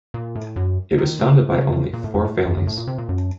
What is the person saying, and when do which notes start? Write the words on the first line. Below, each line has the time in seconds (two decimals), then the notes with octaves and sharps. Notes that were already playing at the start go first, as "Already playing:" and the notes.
It was founded by only four families.
0.14 A#2
0.35 A2
0.56 F#2
0.98 D#3
1.19 C#3
1.51 C3
1.61 C#3
1.73 C#3
1.93 A#2
2.04 A2
2.14 F2
2.25 A2
2.46 F#2
2.57 F#2
2.67 A2
2.77 A#2
2.87 C3
2.98 A#2
3.09 F#2